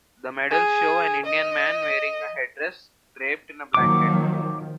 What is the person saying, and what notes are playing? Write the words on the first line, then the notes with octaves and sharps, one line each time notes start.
The medals show an Indian man wearing a headdress, draped in a blanket.
G#4
D#5
D#3 F3 F#3 A#3 D6